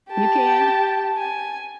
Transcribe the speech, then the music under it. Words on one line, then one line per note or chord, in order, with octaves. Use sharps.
You can?
G4 A5
G#5